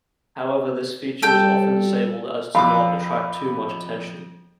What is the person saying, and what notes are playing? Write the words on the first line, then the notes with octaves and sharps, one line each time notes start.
However, this feature is often disabled as to not attract too much attention.
G3 A4 G5 G6
F2 F5 B5 D6 E6 F#6